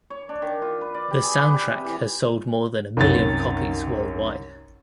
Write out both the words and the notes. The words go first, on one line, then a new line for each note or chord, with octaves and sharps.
The soundtrack has sold more than a million copies worldwide.
C#5
D4
D#3
F4
B4
D5
G4
G#4
B4
G4
C3
E3
C2 F#2 D#3 C#5 A6